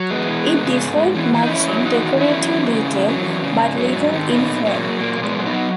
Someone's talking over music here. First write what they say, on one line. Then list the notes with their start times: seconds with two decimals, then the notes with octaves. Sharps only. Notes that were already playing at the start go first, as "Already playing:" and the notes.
It differed much in decorative detail, but little in form.
Already playing: F#3
0.10 E2 G#3 B3
0.28 E3
0.46 E2
0.63 C#3
0.80 G#2
0.98 G#2
1.15 E3
1.34 E3
1.43 D#4
1.51 E2 C#4 E4
1.68 F#3
1.85 E2 D#4 F#4
2.03 D#3
2.20 E2 C#4 E4
2.38 F#3
2.56 E2
2.73 C#3
2.90 E2
3.08 F#3
3.25 E2
3.43 C#3
3.60 G#2
3.78 F#3
3.95 G#2
4.13 D#3
4.30 A#2 B3 D#4
4.48 A#2
4.65 F#3 A#3
4.83 F#3
5.01 A#2 A#3
5.18 A#2
5.23 G#3 B3
5.35 F#3
5.46 B3 D#4
5.52 F#3